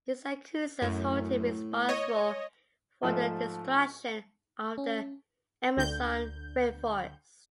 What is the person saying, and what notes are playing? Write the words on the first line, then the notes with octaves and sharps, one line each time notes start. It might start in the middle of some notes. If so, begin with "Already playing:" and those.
His accusers hold him responsible for the destruction of the Amazon rainforest.
F#2 A2
C#5 D#5
G#2 F3 A3
C#4
D2 D3 G6